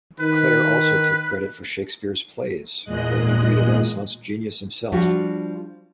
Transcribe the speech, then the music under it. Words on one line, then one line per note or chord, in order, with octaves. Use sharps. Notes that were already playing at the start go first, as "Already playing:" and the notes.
Clare also took credit for Shakespeare's plays, claiming to be the Renaissance genius himself.
D#3 B4
E2 A#2 G#3 D#5 F#6
F3 G3 D4 F4 F#4